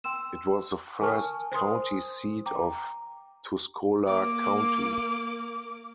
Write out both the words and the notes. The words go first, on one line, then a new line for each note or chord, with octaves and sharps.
It was the first county seat of Tuscola County.
G5 C6 E6 E7
A#4 G#5 A5 C#6 F6
C5 G#5 C6 D#6
G5 A#5 D6
A#3 D6